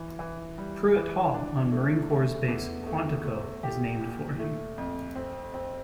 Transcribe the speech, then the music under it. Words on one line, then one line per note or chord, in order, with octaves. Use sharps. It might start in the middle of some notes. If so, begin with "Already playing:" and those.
Pruitt Hall on Marine Corps Base Quantico is named for him.
Already playing: E3
E3
G3
E3
D4
A3
A3
E2
A3
A3
G4
A#2
A3
F2
C4
C4